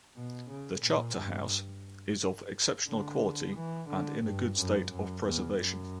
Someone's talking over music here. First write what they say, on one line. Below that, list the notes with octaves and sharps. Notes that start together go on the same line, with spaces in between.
The chapter house is of exceptional quality and in a good state of preservation.
B2
C#3
A#2
G2
D3
E3
D3
G2
F#2
F#2
E2
F#2